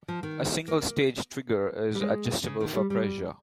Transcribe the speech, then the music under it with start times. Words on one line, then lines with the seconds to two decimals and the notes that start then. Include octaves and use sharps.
The single stage trigger is adjustable for pressure.
0.08 F3
0.23 D#3
0.68 A#3
1.95 G3
2.01 G#3
2.45 C#3
2.60 D#3
2.75 G3
2.90 G3